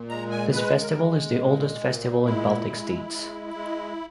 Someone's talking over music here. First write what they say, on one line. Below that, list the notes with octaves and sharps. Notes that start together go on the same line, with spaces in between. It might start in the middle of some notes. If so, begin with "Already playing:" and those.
This festival is the oldest festival in Baltic states.
Already playing: A#2
G#3 A#5
G#5
G#3 B4
A#4
G#3
A#2
A#2
G#3 E4
G#3
G#3
G#3